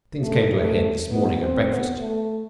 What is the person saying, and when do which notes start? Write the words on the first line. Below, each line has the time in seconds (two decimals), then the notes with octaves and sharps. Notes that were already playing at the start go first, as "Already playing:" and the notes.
Things came to a head this morning at breakfast.
0.23 A3
0.53 A3
1.11 B3
1.41 C4
1.69 B3
1.99 A3